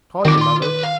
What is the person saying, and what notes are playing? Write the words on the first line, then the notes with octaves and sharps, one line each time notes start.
Call your mother.
D#3 C4 F#4 D6
F4 C6
B4
F5